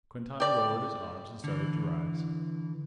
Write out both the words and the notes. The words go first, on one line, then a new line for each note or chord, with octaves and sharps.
Quintana lowered his arms and started to rise.
G4 D5
D3 E3